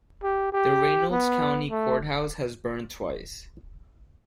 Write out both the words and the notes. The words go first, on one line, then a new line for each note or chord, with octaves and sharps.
The Reynolds County Courthouse has burned twice.
G4
G4
B3
A3